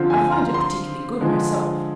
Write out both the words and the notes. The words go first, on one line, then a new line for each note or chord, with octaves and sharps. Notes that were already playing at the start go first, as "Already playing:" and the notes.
"I find it particularly good myself."
Already playing: D3 F3 C4 F4
G#5
A#5
C6
D3 F3 G#3